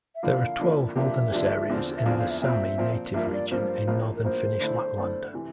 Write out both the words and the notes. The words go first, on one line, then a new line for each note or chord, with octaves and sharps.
There are twelve wilderness areas in the Sami native region in northern Finnish Lapland.
E5
D3 F3 A#3 E4 F5
D3 F3 A#3 E4
D3 F3 A#3 D4 G4 E5
D3 F3 A#3 D4 G4
E2 D3 F3 C4
E5
E2 D3 F3 C4 F5
F5
E5
A#2 F3 C4 E5
A#2 F3 C4
G2 F3 A#3 E5
D5
G2 F3 A#3 C5
A#1 A2 F3 A#3
A#4
A#1 A2 F3 A#3 C5
D3 A3 E4
D3 A3 E4
C3 E3